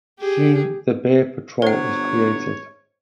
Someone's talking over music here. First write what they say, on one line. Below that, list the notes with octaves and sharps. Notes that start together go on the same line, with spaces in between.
Soon, the Bear Patrol is created.
G4 G#4
G1 F#3 C5 C#5 F#5